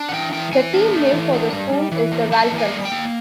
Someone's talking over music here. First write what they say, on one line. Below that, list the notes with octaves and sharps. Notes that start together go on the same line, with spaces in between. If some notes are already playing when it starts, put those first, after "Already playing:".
The team name for the school is the Vulcans.
Already playing: D4
F#5
E3 G5
E3 G5
E3 G#5
D4
A3
E3
D4
G3
G3
E3
A#3
A#3 A5
E3
G#5
G3
G5
A#3